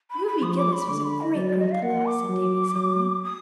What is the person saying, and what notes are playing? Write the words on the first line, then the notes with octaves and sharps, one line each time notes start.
"Ruby Gillis was a great girl to laugh," said Davy suddenly.
B5
B5
F3 D#6
B5
D6
B5
D3 D6
B5
D#5
F#3 D5
D5
D#5
F5
A#3 F#5
D6
F#3
F#3
D#6